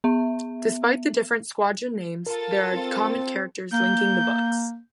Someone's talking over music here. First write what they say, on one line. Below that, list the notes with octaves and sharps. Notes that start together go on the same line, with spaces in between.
Despite the different squadron names, there are common characters linking the books.
B3 E5
F4 A4 A#4 A6
C4
A#3 G6